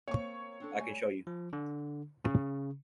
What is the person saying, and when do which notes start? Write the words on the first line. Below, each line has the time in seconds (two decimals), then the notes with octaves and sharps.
I can show you.
0.08 A#3 C4 C#5 C#6
0.60 C4 D4 A4
0.79 G3 A3 G#5
1.27 F3
1.53 D3
2.24 C#3